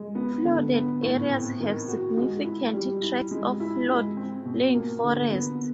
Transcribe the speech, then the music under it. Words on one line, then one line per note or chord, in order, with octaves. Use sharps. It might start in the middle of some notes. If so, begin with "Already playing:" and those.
Flooded areas have significant tracts of floodplain forest.
Already playing: G#3
B3
D3
B3
A2
C4
D#3
F#4
G#3
E4
G3
E4
G#3
E4
G#3
C4
B2
A#3
D3
B3